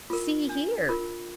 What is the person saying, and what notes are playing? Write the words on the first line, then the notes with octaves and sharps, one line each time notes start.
See here.
F4 A#4
D4
F4 A#4